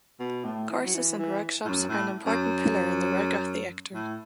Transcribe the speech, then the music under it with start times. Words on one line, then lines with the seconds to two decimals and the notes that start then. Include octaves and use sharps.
Courses and workshops are an important pillar in the work of the actor.
0.20 B2
0.44 A2
0.69 E3
0.85 F#3
0.94 E3
1.19 E3
1.65 A2
1.68 F#2
1.88 A2
2.25 F#2
3.94 A2